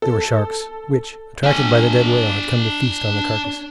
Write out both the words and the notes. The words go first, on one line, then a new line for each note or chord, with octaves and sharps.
They were sharks, which, attracted by the dead whale, had come to feast on the carcass.
A4
D4 G#5